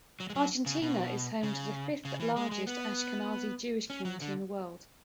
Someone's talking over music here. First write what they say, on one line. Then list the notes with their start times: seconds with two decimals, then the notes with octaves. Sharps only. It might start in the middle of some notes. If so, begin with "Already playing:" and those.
Argentina is home to the fifth largest Ashkenazi Jewish community in the world.
0.20 F#3
0.30 G#3
0.35 F#3
0.66 C#3
0.82 B2
1.43 C#3
2.05 C#3
2.20 E3
2.36 G#3
2.51 G#3
2.67 B3
3.90 C#4
4.05 F#3
4.21 D3